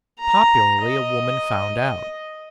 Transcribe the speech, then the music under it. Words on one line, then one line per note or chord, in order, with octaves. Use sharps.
Popularly, a woman found out.
A#5
D#5